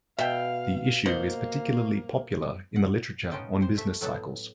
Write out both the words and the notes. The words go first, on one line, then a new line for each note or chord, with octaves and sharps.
The issue is particularly popular in the literature on business cycles.
B2 E5 F5 G5
B2 A#3 C5 F#5
F#5
B3 C#4 D#4 F4 G5 A5
C3 C5
A3 E5
A2 F#3 B3 A4